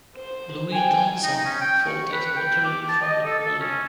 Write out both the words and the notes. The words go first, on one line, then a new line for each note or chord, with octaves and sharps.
Louis Danzas fought at Waterloo for Napoleon.
C5
G5 G#5
D#4
C#4
G5
C#6
B4
G5
D6
A5
D#5
A4
A4
C#4